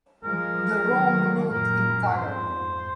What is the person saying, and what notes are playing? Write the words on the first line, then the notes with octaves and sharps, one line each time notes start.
The wrong note entirely.
F3 G#3 A#4
D#3 F#3
F#2 A#2 A#4
F2 G#2 C5